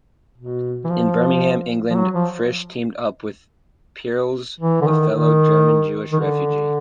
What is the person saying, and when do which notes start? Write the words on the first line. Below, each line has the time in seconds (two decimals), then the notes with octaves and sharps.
In Birmingham, England, Frisch teamed up with Peierls, a fellow German-Jewish refugee.
0.37 B2
0.84 E3
0.89 F3
1.90 F3
1.96 F#3
2.14 F3
4.60 E3
4.81 D3
4.88 D#3
5.14 D#3
6.12 D#3
6.20 D3